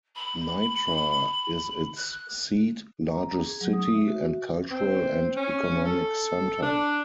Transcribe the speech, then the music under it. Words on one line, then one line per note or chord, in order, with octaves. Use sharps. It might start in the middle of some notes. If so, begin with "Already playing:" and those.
Nitra is its seat, largest city, and cultural and economic center.
B5
F#6
A#5
G#4
F#3
D#6
E5
F#4
C4
C#4
A4
D4